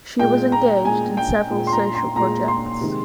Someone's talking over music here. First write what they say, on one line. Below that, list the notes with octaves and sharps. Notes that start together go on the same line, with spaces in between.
She was engaged in several social projects.
A#2 G#3 G5
A#5
A#2 G#3 G#5
G5
A#2 G#3
C6
A#5
C6
A#2 G#3 A#5
C6
C3 D#3 G#3